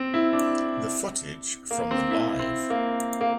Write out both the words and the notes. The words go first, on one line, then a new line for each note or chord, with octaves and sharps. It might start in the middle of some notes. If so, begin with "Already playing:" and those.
The footage from the Live!
Already playing: C4
E4
D4
A#3
C4
E4
C4
A#3
A#3